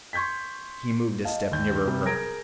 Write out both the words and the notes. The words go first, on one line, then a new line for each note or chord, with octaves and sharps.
He moved a step nearer her.
C6 C#6 G6 G#6 B6
D#5 F5 A5
D#2 G6
C3 G3
G#4 A#4 G#6 A#6 D7